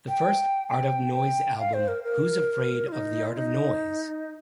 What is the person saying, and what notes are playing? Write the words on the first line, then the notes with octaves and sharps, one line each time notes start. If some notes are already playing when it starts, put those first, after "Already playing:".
The first Art of Noise album, Who's Afraid of the Art of Noise?
G5
G5
G5
F5
C5
A#4
A#4
F4
D#4
F4
D#4